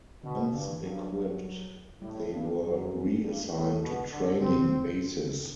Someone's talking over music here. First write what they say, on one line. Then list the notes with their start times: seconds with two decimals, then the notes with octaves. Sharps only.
Once equipped, they were reassigned to training bases.
0.23 B2 D3
0.39 C3
0.53 G2 D3
0.68 E3
0.83 G2 F#3
2.02 A2 G3
2.32 G2
2.62 F#2
3.22 G2
3.52 A2
3.81 B2
4.11 D3
4.40 D3 C4
4.51 D3
4.55 C3